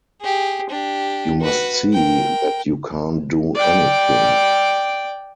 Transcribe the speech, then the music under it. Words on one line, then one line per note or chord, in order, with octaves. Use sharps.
You must see that you can't do anything.
G4 G#4
D4 G4
F#4 B4
A#4 G5
D5 G5